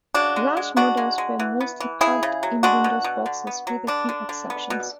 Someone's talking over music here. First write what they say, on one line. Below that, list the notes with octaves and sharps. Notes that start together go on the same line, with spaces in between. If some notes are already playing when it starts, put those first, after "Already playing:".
Large models were mostly packed in window boxes, with a few exceptions.
C#3 D4 F#4
G#3
G#3
B3 D4 F#4
G#3
G#3
E3
B3
E3
C#3 E4 G#4
C#3
F#3
G#3 D4 F#4
B2
B2
D3
B3
F#3
D3 D4
D3
D3
B3
B2